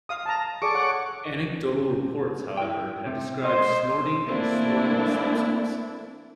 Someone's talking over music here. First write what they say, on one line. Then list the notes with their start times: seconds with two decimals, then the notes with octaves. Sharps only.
Anecdotal reports, however, have described snorting or smoking the substance.
0.09 F5 D#6
0.26 A5 A#5
0.62 G#4 A4 D5 C#6 D6
0.75 C#5 F#5
2.57 E4 G5
3.07 C3
3.45 C5 D#5
4.24 E3 A3 A#3 C4 D4 E4